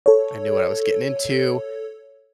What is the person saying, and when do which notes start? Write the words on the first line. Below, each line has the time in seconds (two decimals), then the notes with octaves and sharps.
I knew what I was getting into.
0.06 A4 C#5